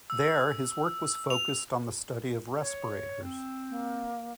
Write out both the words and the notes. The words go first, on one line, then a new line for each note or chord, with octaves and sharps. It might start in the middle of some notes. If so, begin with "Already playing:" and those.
There his work was focused on the study of respirators.
E6
F7
C#5
C4
A#3